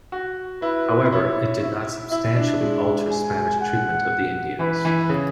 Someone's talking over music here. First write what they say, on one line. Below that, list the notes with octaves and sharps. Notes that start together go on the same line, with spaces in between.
However, it did not substantially alter Spanish treatment of the Indians.
F#4
E4 B4
E4 C#5
E5
E4 E5
D4
G#3
G#5
F#5
E3 B4
E3
C#3